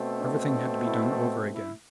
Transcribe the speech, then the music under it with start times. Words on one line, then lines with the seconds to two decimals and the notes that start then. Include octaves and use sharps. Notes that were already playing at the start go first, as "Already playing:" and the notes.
Everything had to be done over again.
Already playing: B2 A3 C4
0.18 D4
0.51 D4
0.84 E4
1.50 E4